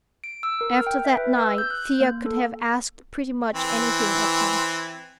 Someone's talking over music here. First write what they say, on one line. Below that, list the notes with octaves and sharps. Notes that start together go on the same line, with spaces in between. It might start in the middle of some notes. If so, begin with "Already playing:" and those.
After that night Thea could have asked pretty much anything of him.
D7
E6
A#4
F6
G5
E5
B4
E6
G6
F#6
A#3
A4
E3 C4